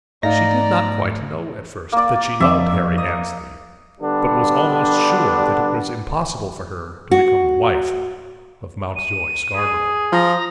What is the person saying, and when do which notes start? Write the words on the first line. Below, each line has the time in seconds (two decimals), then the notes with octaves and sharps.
She did not quite know at first that she loved Harry Annesley, but was almost sure that it was impossible for her to become the wife of Mountjoy Scarborough.
0.23 G#2 A3 D#4 D5 F5 A#5 A#6
1.92 A#3 D5
2.40 F2 E5 D6
2.98 D#5
4.01 D3 G3 B3 D4
7.11 F#4
8.96 D#7
9.56 G#4
10.12 F3 A#5